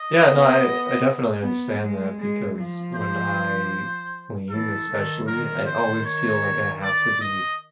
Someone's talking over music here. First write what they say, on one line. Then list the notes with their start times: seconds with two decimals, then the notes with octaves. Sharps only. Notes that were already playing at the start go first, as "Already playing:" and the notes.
Yeah, no, I I definitely understand that, because when I clean, especially, I always feel like I have to be
Already playing: D#5
0.25 B3
1.40 B3
1.79 G#3
2.19 G#3
2.57 F3
2.95 C5
4.50 E3 A4
4.89 D#3
5.27 D#3 A#4
5.66 D#3 C5
6.05 C#5
6.82 D5
7.21 D#5